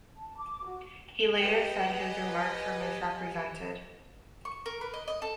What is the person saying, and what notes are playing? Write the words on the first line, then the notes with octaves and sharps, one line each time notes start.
He later said his remarks were misrepresented.
A5
D6
F#4
G4 B4 D#5 G5
G#5
C#6
A#4
B4
D#5
D#5
A4